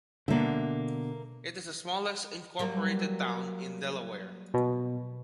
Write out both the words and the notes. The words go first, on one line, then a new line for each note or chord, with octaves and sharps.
It is the smallest incorporated town in Delaware.
B2 D3 A#3 E5
F#3 G3 A#3
B2